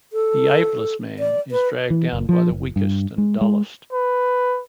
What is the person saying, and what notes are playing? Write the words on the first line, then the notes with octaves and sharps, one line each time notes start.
The ablest man is dragged down by the weakest and dullest.
A4
D5
B4
E3
F#1
F3
F#1
G2
G#3
G#3
B4